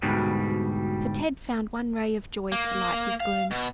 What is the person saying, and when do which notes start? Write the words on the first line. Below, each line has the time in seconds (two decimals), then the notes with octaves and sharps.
So Ted found one ray of joy to light his gloom.
0.02 D2 G#2 B2 G3
2.52 A#3
3.20 F5
3.51 B2